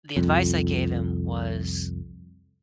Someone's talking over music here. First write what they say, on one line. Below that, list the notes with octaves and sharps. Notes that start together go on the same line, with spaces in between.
the advice I gave him was,
C2 F2